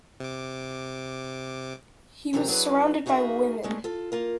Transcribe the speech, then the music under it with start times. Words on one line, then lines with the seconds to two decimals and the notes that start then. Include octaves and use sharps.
He was surrounded by women.
0.20 C3 D6
2.33 C3 E3 F#3 G4 A4 A#4
2.48 F#3 D4 E4 G#4 A#4 B4
3.06 D#4 F#4 G#4 A#4 E5
3.63 D3 G#3 A3
3.84 F4 A4
4.12 A#3 F4 A#4